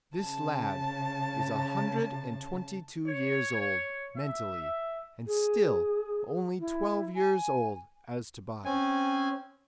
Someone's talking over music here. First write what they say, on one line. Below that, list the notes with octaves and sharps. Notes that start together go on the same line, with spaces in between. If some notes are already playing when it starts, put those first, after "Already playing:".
This lad is a hundred and twenty-two years old, mentally, and still only twelve years old, as to body!
C#3 A5
C#5
E5
G#4
E4
G#5
C4 C#4 G#5